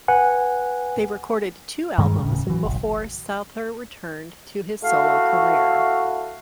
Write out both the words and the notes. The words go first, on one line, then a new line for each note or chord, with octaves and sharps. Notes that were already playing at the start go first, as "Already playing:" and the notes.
They recorded two albums before Souther returned to his solo career.
B4 F#5 G#5
G2 D#3 G3 G#3
D#1 D#2 A2 C#3
E3 F#3
F#1 B1
A3 E4 F#4 F5